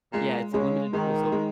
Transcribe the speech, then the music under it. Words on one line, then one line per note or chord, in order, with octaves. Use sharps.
Yeah, it's a limited pool, so
A#2 G#3
C#3 G#3
D#3 G#3
G#3